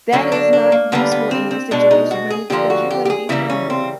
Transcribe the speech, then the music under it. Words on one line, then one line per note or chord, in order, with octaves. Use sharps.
That is not useful in your situation, honey, because you're gonna be hungry.
D3 F#3 A#3 C#4
D4
D4
A#3
D3 G3 A#3 B3
B3
C4
C4
B2 G#3 D4
D#4
F#4
G#4
D3 F3 A#3 G4
F#4
G4
G4
G#4
C#3 E3 G3 A#3 E4
C#4
C4